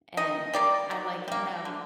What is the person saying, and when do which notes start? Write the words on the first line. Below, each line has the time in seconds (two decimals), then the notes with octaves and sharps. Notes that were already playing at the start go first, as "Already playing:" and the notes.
And, I'm like, "No.
0.17 D#3 D#5
0.54 G3 A#3 D5
0.91 D#3
1.28 G3 A#3
1.65 D3